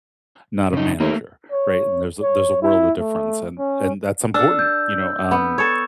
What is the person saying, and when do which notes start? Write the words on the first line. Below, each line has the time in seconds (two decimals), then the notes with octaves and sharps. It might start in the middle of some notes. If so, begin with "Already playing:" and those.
not a manager, right, and there's a there's a world of difference and and that's important, you know, um,
0.73 C#3 D#4
1.00 D#2 A3 A#3
1.51 C#5
2.22 C#5
2.62 E4
2.98 A3
3.59 C#4
4.34 D4 A4 E6 F6
4.59 G6
5.31 B3
5.58 A4 C#5